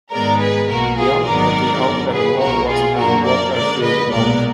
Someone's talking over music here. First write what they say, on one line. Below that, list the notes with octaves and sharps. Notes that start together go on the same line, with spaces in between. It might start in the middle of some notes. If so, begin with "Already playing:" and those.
Beyond the outer wall was a water-filled moat.
G#2 D#3 G#3 B3 A#4 D5
G#4 B4
B1 B2 A#3 F#4 A#4
F4 G#4
G#1 F#2 D#3 G#3 B3 A#4 D5
F#2 D3 F#3 B3
G#4 B4
B1 B2 A#3 F#4 A#4
F4 G#4
F#2 D3 F#3 A#3 F#4 A#4
A#4 D5
F#2 D3 G#3 A#4 D5
B4 D#5
B1 A#2 G#3 B3 A#4 D5